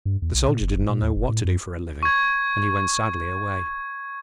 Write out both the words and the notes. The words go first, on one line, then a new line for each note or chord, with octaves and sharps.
The Soldier did not know what to do for a living, and he went sadly away.
G2
E2
B1
A#2
F#1
F#1
A#2
D#2
F1
A2
F#2
C#6 G#6